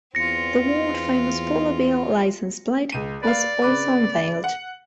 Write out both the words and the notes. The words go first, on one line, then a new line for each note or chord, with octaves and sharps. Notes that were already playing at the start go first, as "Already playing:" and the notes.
The world-famous Polar Bear licence plate was also unveiled.
E2 C4 F4 A#6 C#7
C#2 D#7
B4 D5 F5
C#3 B4 D6
F#5